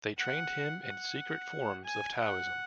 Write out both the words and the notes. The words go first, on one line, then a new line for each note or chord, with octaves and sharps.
They trained him in secret forms of Taoism.
F#5
F#5
G#5
F#5